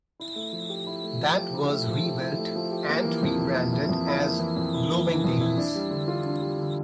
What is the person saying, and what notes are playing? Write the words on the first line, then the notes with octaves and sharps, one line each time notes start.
That was rebuilt, and rebranded as Bloomingdale's.
E4
A3
F3
G4
E4
A3
F3
G4
E4
A3
F3
G4
E4
A3
F3
G4
A#3
E3
F2
E4
A#3
E3
F2
E4
A#3
E3
F2
E4
A#3
E3
F2
E4
D4
G3
D3
F4
D4
G3
D3